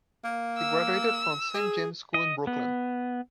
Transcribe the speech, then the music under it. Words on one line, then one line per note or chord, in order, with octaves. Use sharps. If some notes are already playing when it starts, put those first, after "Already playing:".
He graduated from Saint James School in Brooklyn.
A#3
E6
G#4
D#5
B3